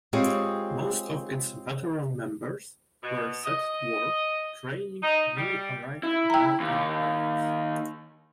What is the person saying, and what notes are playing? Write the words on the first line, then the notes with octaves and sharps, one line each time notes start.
Most of its veteran members were set to work training newly arrived American pilots.
G#3 C4 F4 G4 G#4 C#5
B2
D#5
D#4
G3
E4
G5 A#5
D#2